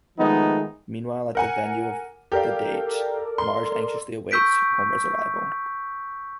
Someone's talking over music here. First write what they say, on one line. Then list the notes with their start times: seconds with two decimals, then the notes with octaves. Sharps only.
Meanwhile, at the venue of the date, Marge anxiously awaits Homer's arrival.
0.18 D#3 F3 G#3 A3 B3 D#4
1.35 A#4 F#5 G#5
2.32 G4 A4 A#4 D5 F5
3.38 C6
4.31 C#6 E6 G6 B6 D7